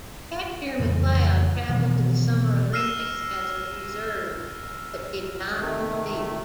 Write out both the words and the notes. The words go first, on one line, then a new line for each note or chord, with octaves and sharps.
Hector McLeod travelled to the Summer Olympics as a reserve but did not compete.
F2 A2 C#3 E3
B2 D#3 E3 F#3
E6 F6 A#6 C7 D#7 E7
C3 D#3 A3